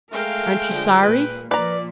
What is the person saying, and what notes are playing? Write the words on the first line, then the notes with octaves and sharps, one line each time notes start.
"Aren't you sorry?"
G#3 A3 A#4 F5 G5
D3 F3
A#2 A#3 B4
A#2 F3 A#3 B4 D5 A#5